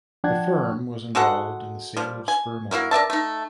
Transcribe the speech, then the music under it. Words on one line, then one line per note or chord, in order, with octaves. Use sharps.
The firm was involved in the sale of sperm oil.
F3 D4 F#5 G5 A5 G#6
G#3 F#4 A4 F#5
F3 G3
G#5
A#3 E4 F#4 A#4
A#4 D5 E5 A5
A3 D#4